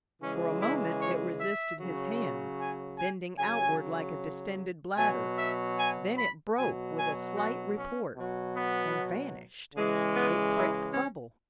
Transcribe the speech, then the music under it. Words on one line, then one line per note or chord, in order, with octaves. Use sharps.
For a moment it resisted his hand, bending outward like a distended bladder, then it broke with a slight report and vanished--a pricked bubble.
C#3 E3 G#3 C#4
E4
C#5
E5
C#3 F#3
G#5
G#5
C#3 F#3 G#5
B2 F#3 G#5
E5
G#5
B5
B2 F#3 G#5
G#5
F#4
C#4
B2 F#3
B3
C#3 E3 G#3
B3
E4
C#4